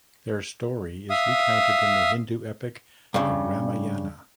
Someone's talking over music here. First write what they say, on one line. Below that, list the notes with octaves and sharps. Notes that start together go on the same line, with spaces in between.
Their story is recounted in the Hindu epic, the Ramayana.
E5 F5 D#6
G2 A#2 C#3